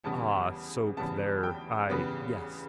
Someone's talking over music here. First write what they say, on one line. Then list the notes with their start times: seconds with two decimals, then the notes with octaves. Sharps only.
Ah soap there I yes.
0.04 E2 C#3 G3 B3 A5
0.97 E2 C#3 G3 B3 A5
1.43 G5
1.89 E2 C#3 G3 B3 B4